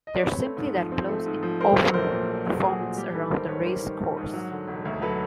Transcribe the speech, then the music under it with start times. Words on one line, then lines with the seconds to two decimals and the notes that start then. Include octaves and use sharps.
They are simply that close in overall performance around the race course.
0.07 D#5
0.15 D5
0.23 C4 B4 C#5
0.40 A3
0.57 G#2
0.74 F3
0.92 C4
1.08 A3
1.26 G#2
1.43 F3
1.60 A3 A#4 C5
1.77 F#3
1.94 A#1 A#4 C5
2.11 A#2
2.29 A3
2.46 F#3
2.62 A#1 F#4 G#4
2.80 A#2
2.97 G3 G4
3.14 D#3 A4 B4
3.31 A#1 A#4 C5
3.48 G#2 B4 C#5
3.65 G3 A#4 C5
3.83 D#3
4.00 A#1
4.17 G#2
4.34 F#3
4.52 D3
4.68 E1
4.85 D2
5.02 F#3 A4 B4